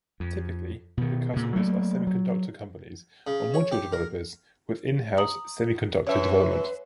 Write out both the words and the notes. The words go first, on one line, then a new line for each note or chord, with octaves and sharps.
Typically, the customers are semiconductor companies or module developers with in-house semiconductor development.
F2
B2 D#3
A#2 C#3
F#3 A3 A#3
F#3
C#3
C#5
G4
A#4
A#5 D#6 F#7
F#2 B4 C#5 E5